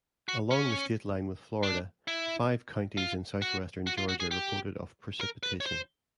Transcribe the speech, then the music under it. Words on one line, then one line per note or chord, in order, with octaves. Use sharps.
Along the state line with Florida, five counties in southwestern Georgia reported of precipitation.
F#4
C#4
D4
E4
F4
F#4
F#4
F4
F#4
G#4
G4
A#4
B4
C#5
C5